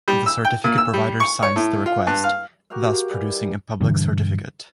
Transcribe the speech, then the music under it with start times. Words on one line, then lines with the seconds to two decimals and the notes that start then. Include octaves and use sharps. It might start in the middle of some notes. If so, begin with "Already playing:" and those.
The certificate provider signs the request, thus producing a public certificate.
0.08 G3
0.26 E6
0.45 G5
0.64 A#2
0.78 E6
0.93 G3
1.20 C#6
1.42 C#5
1.56 A2
1.86 F4
2.07 G2
2.24 F5
2.70 F#4 G4 A#4 F5
3.11 E3 G3
3.81 G2 B2 D3 E3